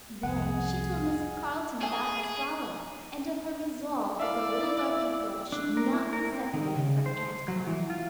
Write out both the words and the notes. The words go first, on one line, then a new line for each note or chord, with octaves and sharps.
Then she told Mrs. Carleton about Estralla, and of her resolve that the little darky girl should not be separated from Aunt Connie.
C2 F2 G#4 F#5
A3 G#4 G#5
G#4
E4 D5 E5 F5 E6
D4
A#4
E4
A#4
C4
D#3
C#3
C5
F#3
E3
F4